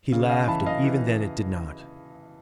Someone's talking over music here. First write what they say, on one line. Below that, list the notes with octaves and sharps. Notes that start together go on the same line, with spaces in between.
He laughed, and even then it did not.
C#3
D#5 F5
E3 A5 B5
D#5 F5
E3